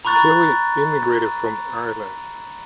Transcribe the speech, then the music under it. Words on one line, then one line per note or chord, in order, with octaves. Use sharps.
Quealy immigrated from Ireland.
A#5 B5 C#6 F#6 A6